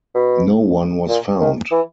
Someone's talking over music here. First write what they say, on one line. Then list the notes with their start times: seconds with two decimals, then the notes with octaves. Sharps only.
No one was found.
0.15 B2
1.09 A#2
1.41 D#3
1.71 E3